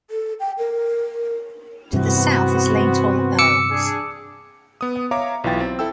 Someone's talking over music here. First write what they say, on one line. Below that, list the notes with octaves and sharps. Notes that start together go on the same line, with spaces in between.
To the south is Leinthall Earls.
A4
G5
A#4
G2 C3 E3 B3 C4 F#4
D6 E6 C#7
D4 G#4
B3 D#6
C#5 E5 F5 A#5 D6
B1 E3 E4 F4 G5 A6
C4
E4 A4 G5 E6